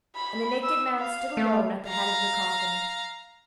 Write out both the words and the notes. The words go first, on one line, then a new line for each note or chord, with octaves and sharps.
And the naked man stood alone at the head of the coffin.
B5
E6
F5
A3
F5 A#5